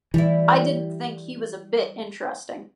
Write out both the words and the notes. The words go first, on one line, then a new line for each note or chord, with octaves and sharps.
I didn’t think he was a bit interesting.
E3 G3 E4